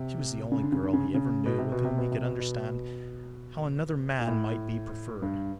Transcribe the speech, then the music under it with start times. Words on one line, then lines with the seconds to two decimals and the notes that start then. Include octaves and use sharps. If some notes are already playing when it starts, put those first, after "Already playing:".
She was the only girl he ever knew with whom he could understand how another man might be preferred.
Already playing: C3
0.52 C#3
0.62 D3
0.72 C#3
0.83 D3
0.93 C#3
1.04 D3
1.14 C#3
1.46 B2
1.58 C3
1.72 B2
1.85 C3
1.98 B2
2.12 C3
2.25 B2
2.40 B2
4.19 A#2
4.27 A2
5.22 G2